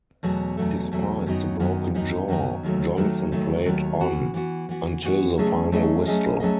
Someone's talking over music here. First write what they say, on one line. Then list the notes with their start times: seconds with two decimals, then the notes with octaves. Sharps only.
Despite the broken jaw, Johnson played on until the final whistle.
0.23 E2 B2 F#3 A3
0.57 E2 B2 F#3 A3
0.92 E2 B2 F#3 A3
1.26 F#2 D#3 F#3 B3 D#4
1.60 F#2 D#3 F#3 B3 D#4
1.94 F#2 D#3 F#3 B3 D#4
2.28 F#2 D#3 F#3 B3 D#4
2.63 D#2 D#3 F#3 A3
2.97 D#2 D#3 F#3 A3
3.32 D#2 D#3 F#3 A3
3.65 D#2 D#3 F#3 A3
4.00 E3 B3 F#4
4.34 E3 B3 F#4
4.69 E3 B3 F#4
5.03 E3 B3 F#4
5.38 F#3 A3 C#4 G#4 D#5
5.72 F#3 A3 C#4 G#4 D#5
6.06 F#3 A3 C#4 G#4 D#5
6.40 F#3 A3 C#4 G#4 D#5